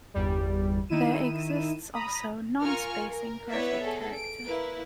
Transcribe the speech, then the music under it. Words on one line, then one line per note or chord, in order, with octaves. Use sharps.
There exists also "non-spacing" graphic characters.
G1 E2 G3
D#3 D#4 E4 D#7 E7
A#5 B5 D#6
F4 A#4 G#5 C#6 F6
A#4
B3 E4 B4 C#5 D5 E5
G#4 A4
D7
A#3 E4 B4